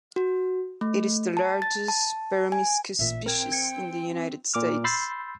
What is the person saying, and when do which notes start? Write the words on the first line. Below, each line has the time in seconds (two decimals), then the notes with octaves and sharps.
It is the largest "Peromyscus" species in the United States.
0.16 F#4
0.81 A3
1.37 A5
1.62 A6
1.88 A5
2.52 G#5
2.99 A1 A#2 E5
3.26 C4 A#4 G5 G#6
3.52 G#6 C#7
4.54 A#2 D6 F6
4.84 B5 C6 E6 G6 A6 C7